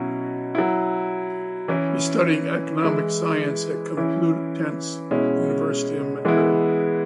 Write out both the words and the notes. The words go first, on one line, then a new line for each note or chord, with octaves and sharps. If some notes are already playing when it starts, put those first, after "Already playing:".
He studied Economic Science at Complutense University of Madrid.
Already playing: B2 F#3 C#4 E4
F#3 E4
E3 C#4 E4
E3 G#3 E4
E3 C#4 E4
B2 G#3 C#4 E4
E3 G#3 B3 E4